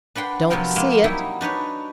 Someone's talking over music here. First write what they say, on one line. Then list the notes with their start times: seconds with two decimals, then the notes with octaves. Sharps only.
'Don't see it.
0.15 D4 B4 F#5 G5 C6
0.50 C3 F3 F#3 B3 C4 A#4
0.76 G#3 A#3
1.04 F#3 G3 A#3 D#4 E4
1.41 D4 D#4 B4 C#5